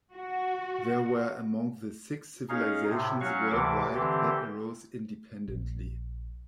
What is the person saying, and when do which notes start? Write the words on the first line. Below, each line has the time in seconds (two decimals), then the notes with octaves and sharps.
These were among the six civilizations worldwide that arose independently.
0.12 F#4
2.49 C#4 D#4 G#4 F5
2.90 A2 C3
3.21 F#3 C#4 F#4 F5 C#6
3.51 D2 C3 E3 D6
3.94 D3 E3 C4 G4
5.48 A#1